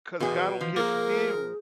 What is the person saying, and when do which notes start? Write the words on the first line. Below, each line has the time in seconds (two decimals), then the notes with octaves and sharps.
'cause God will give him
0.20 E2 B2 G#4
0.61 E3 F3
0.76 A#3 G#4 A#4